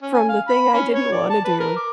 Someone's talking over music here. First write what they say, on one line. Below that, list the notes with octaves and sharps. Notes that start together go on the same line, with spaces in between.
from the thing I didn't wanna do."
C#4
G#5
F5
B5
C#4
C#5
D5
A5
B4
A#4
D6